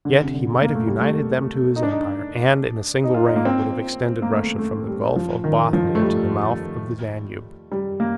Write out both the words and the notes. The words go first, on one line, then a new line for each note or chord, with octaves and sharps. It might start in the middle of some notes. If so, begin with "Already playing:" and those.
Yet he might have united them to his empire and in a single reign would have extended Russia from the Gulf of Bothnia to the mouths of the Danube.
D3
C3
D3
A#3
A3
G3
A3
D#4
D4
D#4
D#4
F4
D#4
A#3
C4
A#3
A3
A3
G3
F3
D#3
F3
A3
G3
G3
A#3